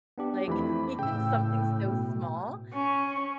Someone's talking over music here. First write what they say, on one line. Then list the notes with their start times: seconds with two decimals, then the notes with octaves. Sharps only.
Like, even something so small.
0.18 B3 D4 G4
0.48 F2 E3 A3 B5
0.99 A2 C#3 G5 E6
1.86 B2
2.73 C#4